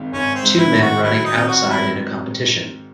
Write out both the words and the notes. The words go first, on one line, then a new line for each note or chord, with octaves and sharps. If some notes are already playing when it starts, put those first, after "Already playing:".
Two men running outside in a competition.
Already playing: G#1 G#2 D#3
G#1 C#4
C4
G#2
E4
D#3
F#4
F#3 E4
D#4
C4
F#4
G#2
E4